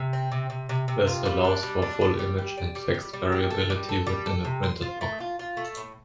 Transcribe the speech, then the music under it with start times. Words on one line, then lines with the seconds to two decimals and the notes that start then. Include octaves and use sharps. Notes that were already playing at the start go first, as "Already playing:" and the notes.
This allows for full image and text variability within a printed book.
Already playing: C3
0.13 C4
0.32 C3
0.50 C3
0.69 C3
0.88 C3
1.07 F4
1.26 G3
1.45 D4
1.63 G3
1.82 D4
2.01 G4
2.19 G3
2.38 G4
2.57 D5
2.75 G3
2.94 G3
3.13 G3
3.32 G4
3.50 A4
3.70 G3
3.89 A4
4.07 G3
4.26 A4
4.45 C3
4.63 C5
4.82 F4
5.01 A3
5.20 F4
5.39 F4
5.57 A3
5.77 A2